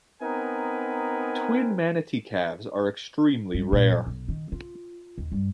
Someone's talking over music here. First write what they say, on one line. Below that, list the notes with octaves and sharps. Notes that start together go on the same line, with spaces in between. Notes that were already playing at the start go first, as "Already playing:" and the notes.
Twin manatee calves are extremely rare.
B3 C4 D#4 A#4 B4 G#5
G2
A#2
F#2
B1
D#3
F4
D#2
G2